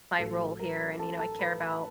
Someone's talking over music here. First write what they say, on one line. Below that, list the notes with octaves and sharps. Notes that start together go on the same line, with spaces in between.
my role here, and, you know, I care about,
A1 A2 F#3 A4 A5
A#4 A#5
A4 A5
A4 A5
B4 B5
B4 B5